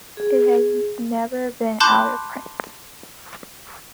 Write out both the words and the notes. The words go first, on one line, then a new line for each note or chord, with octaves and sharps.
It has never been out of print.
G#4
A5 B5 C6 D6 F#6 G6